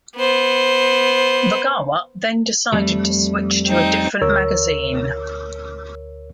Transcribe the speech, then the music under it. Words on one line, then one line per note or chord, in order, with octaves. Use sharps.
Ragawa then decided to switch to a different magazine.
B3 C5
F2 G3 A3
C4 D#4
D2 A#4 C#5 E6